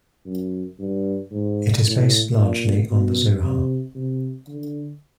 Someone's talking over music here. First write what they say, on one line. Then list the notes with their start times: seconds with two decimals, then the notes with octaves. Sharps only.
It is based largely on the Zohar.
0.26 F#2
0.79 G2
1.31 G#2
1.85 A2
2.38 A#2
2.90 B2
3.42 C3
3.95 C3
4.48 D3